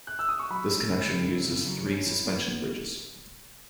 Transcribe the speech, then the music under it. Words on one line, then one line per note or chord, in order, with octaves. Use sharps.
This connection uses three suspension bridges.
F#6
E6
D#6
C#6
F#3 B5
C#4
C#3
C#4
C#3
C#3
F#3
C#4
E3
B3